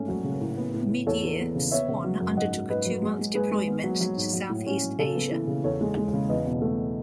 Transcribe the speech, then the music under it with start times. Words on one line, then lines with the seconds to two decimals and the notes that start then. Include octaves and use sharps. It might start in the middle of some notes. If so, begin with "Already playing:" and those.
Mid-year, "Swan" undertook a two-month deployment to South East Asia.
Already playing: G#2 A3 C#4
0.08 F#3
0.24 C#3
0.41 A2
0.57 B3
0.74 A2
0.90 A2
1.06 E2 A4 C#5
1.23 E2
1.39 B3
1.55 C#3
1.71 B3 C#5 E5
1.88 C#3
2.04 F#3
2.21 F#2
2.37 G#2 D#5 F#5
2.53 F#3
2.70 G#2 B4 D#5
2.86 F#3
3.03 G#3
3.19 G#3
3.35 G#3 G#4 B4
3.51 G#3
3.68 B3
3.84 F#3
4.01 F#3
4.17 G#2
4.33 F#3
4.49 A2
4.67 C#4
4.82 F#3
4.98 C#3 A4
5.15 B3
5.31 E3
5.47 C#3
5.64 E2 A4 C#5
5.81 G#3
5.97 G#3
6.13 C#3
6.29 E2 B4 D#5
6.46 B2
6.62 A3